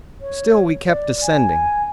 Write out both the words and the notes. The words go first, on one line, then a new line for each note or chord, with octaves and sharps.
Still we kept descending.
C#5
D5
G#5